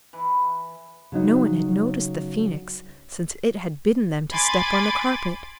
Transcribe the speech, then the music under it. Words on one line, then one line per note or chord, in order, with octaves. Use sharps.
No one had noticed the Phoenix since it had bidden them to step on the carpet.
E3
C#3 F#3 D#4
G#5 B5 C6 D6 G#6 A6